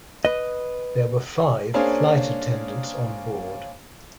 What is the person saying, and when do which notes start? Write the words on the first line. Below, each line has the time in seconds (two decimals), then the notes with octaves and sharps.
There were five flight attendants on board.
0.25 B4 D#5
1.74 A#3 C#4 D4 G#4 C5 F5